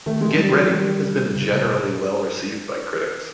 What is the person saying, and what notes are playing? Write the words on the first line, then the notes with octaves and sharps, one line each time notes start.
"Get Ready" has been generally well received by critics.
D#3 A3
G#3
G3
F#3
G3
C#3
C#3
B2